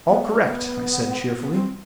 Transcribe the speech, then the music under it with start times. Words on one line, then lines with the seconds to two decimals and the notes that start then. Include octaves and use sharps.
"All correct," I said cheerfully.
0.09 B3
0.27 A3
0.46 B3
1.40 B3
1.52 C4